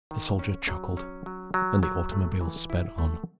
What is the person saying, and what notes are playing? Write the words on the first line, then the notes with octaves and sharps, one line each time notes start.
The soldier chuckled, and the automobile sped on.
D#3
C#4
F#3
C#4
F#3
F#3
F#3
A3
E3
E4
A3